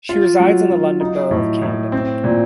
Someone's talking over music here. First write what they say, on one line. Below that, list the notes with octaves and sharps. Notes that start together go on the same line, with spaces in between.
She resides in the London Borough of Camden.
F4
F#3
F#3
D#4
A2
A2
C4
A#2